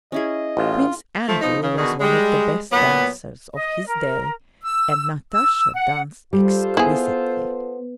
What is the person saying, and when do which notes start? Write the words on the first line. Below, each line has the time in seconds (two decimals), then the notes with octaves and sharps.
Prince Andrew was one of the best dancers of his day and Natasha danced exquisitely.
0.12 C#4 E4 G#4 D#5
0.57 A1 F4
1.27 F3 A3
1.41 B2 F3 D#4
1.62 C#3
1.77 B2 D3 D#3 F#4 G#4
2.01 G3 G#3
2.72 A#2 F#3 B3
3.53 D#5
3.87 A#4
4.62 E6
5.32 E6
5.74 F#5
6.33 G3 F4 A4 C5
6.77 B3 E4 G#4